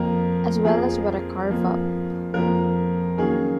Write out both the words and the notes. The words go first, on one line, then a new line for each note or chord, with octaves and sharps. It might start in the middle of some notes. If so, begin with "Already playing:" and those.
As well as What a Carve Up!
Already playing: F2 F3 A#3 A#4
F2 F3 A#3 G#4
F2 F3 A#3
F2 F3 A#3 A#4
D#3 F#3 A#3 C#4 G#4